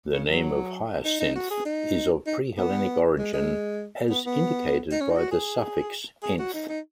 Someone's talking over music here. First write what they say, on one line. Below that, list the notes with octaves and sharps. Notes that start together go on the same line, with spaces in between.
The name of Hyacinth is of pre-Hellenic origin, as indicated by the suffix "-nth".
C#3
F#3
D#4
D#4
F#4
G#4
D#4
D#4
B3
G#3
G#3
B3
B3
D#4
C#4
D#4
F#4
G#4
G#4
F#4
D#4
D#4